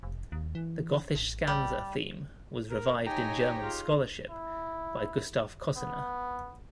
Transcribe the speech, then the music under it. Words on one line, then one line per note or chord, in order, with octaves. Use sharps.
The Gothiscandza theme was revived in German scholarship by Gustav Kossinna.
F1
D#2
E3
A1
G3
A#4
D#4 G4 C#5 G5 G#5 A#5
F4 G#4
E4
B3